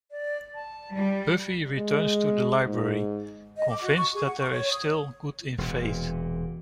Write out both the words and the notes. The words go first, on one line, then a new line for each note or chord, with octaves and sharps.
Buffy returns to the library, convinced that there is still good in Faith.
D5
A5
G3 D5
G#3
G#2
D#5
D6
F#4
C#6
G#4
F#5
C#6
C#5
D#6
E1 A#2